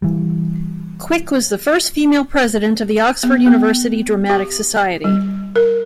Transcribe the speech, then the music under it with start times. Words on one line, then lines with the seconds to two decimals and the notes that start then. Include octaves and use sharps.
Quick was the first female president of the Oxford University Dramatic Society.
0.02 E3 G3
3.23 B3
3.46 B3
4.30 G4
5.04 G3
5.56 A#4